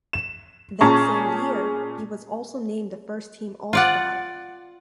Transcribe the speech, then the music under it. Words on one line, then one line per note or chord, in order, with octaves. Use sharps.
That same year, he was also named a First Team All-Star.
E7
A#2 C#4 G#4 A5 A#5 C#6
F4 D5 F#5